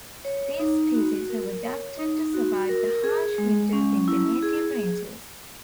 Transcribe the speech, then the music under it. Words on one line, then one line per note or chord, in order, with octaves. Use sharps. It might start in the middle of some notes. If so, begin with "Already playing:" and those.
These species have adapted to survive the harsh winters in their native ranges.
C#5
D#4
F#4
A#4
C#5
D#4
F#4
A#4
G#4
G#3
C#4
E4
G#4